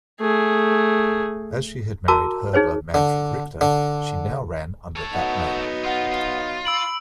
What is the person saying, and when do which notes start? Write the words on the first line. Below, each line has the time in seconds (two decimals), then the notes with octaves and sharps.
As she had married hurdler Manfred Richter, she now ran under that name.
0.21 A3 G#4
2.08 F#4 A#4 A5 A#5 D6 E6
2.53 D#4 G#4 C5 C#5
2.94 D3
3.61 D3
4.96 A4 C#5
5.13 F#3 B3 D#4 F#5
5.84 F4 F#5
6.12 F4
6.65 B5 E6 D7 F#7